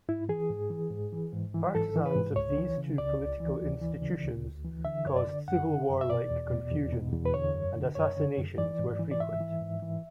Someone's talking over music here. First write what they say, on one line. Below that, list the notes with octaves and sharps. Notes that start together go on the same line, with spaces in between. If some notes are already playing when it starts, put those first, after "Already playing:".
Partisans of these two political institutions caused civil war-like confusion, and assassinations were frequent.
G#2 E4
E3 G#4
G#2
E3
G#2
E3
G#2
E3
G#2 A4
E3
B4
G#2
C#2 C#5
E3
C#3
C#2 D5
C#2
E3
D2
E3
C#3
D2
D2
E3
D3 E5
F#2 C#5
D5
D3
F#2 F#5
D3
F#2
E5
B2 D5
E2
B2
E2
B2
E2
B4
D3 C#5
F#2
D3
F#2 C#5
D3
F#2
E3 D5
G#2
E3
D5
G#2 E5
E3
G#2
E3